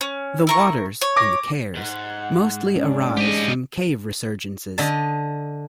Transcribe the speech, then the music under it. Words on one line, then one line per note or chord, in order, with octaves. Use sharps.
The waters in the Cares mostly arise from cave resurgences.
C#4
E4 A#4 C#6
C#5
D6 A#6
G#2 F#5
C#4 D4
G#3 G4 D#5
D3 D#5 A5